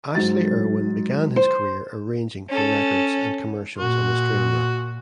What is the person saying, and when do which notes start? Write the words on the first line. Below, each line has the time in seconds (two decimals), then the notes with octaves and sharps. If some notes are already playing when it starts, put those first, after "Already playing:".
Ashley Irwin began his career arranging for records and commercials in Australia.
0.15 G#2 F#3 A6
1.36 C5
2.49 C#4 A4
3.78 A#2 F#4